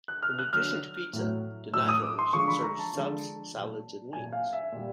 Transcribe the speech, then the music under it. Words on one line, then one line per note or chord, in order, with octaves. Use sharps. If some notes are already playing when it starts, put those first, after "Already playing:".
In addition to pizza, Donatos serves subs, salads, and wings.
F#6
F6
F#6
D3 F#3 F6
A2 F#3
A2 F#3 E6
D#6
D6
C6
D3 F3 G#3 C#6
B5
A#5
A5
D3 F3 G#3
A#2 F#3
A#2 F#3 G#5
F5
E5
A#2 G3